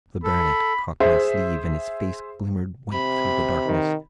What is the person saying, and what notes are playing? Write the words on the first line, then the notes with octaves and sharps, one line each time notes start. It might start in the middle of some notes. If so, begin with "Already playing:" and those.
The baronet caught my sleeve and his face glimmered white through the darkness.
A4 B5
G#4 C5 E5
C3 B5
D#3